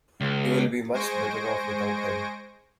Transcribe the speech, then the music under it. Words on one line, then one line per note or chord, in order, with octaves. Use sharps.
You will be much better off without him.
C#2
G#3 C5 G#5 C#6 A#6 D7